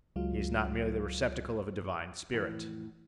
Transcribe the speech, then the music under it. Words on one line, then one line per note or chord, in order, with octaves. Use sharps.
He is not merely the receptacle of a divine spirit.
C#2 F#3 G#3 F4 F5
F2 A2 E3 E4 F#5 A5